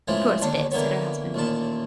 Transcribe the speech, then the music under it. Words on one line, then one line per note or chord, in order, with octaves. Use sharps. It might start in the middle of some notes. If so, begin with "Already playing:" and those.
"Course it is!" said her husband.
A2 C#3 E3 F3 G#3
D#2 D3 C#4 D4
D3 E3 A#3 B3 C#5
A1 D#2 A#2 A5